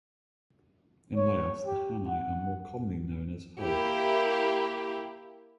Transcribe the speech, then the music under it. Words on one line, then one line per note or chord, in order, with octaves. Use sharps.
In Laos, the Hani are more commonly known as "Ho".
C#5
G4
F#5
A#3 E4 G4